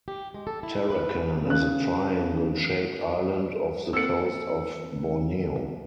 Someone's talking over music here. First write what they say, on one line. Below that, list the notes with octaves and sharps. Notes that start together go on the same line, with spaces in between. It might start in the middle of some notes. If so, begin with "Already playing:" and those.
Tarakan is a triangle shaped island off the coast of Borneo.
G4
G#3
A4
E4
B4
C#3 F#6
D3 A#3 C4 A4 F#5 E6 C#7